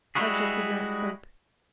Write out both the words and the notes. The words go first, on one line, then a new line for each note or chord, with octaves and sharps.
Archer could not sleep.
G3 G#3 E4 F#4 G#4